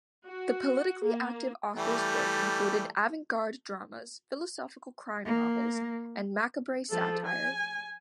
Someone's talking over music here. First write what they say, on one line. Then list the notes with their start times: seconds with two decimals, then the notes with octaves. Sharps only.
The politically active author's work included avant-garde dramas, philosophical crime novels, and macabre satire.
0.25 F#4
1.04 A#3
1.76 E3 G3 A3
5.25 A#3
6.90 F3 A4
7.26 G#5